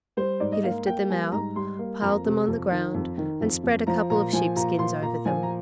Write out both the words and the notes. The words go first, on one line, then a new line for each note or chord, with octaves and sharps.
He lifted them out, piled them on the ground and spread a couple of sheepskins over them.
G3 C5
G#2 D5
D#5
A#3 F5
A#3 G5
G3 G#5
G#2 A#5
G3 C6
A#3
F2 A#5
C3
F2
D#3
F2
D#3
F2
F2
F3 A#5
A#2 A#5
F3 G#5
A#2 A#5
A#2 C6
A#2 A#5
F3 G#5
A#5